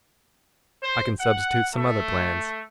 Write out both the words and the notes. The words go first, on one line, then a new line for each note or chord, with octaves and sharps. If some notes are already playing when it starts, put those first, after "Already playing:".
I can substitute some other plans.
C5
F#5
A3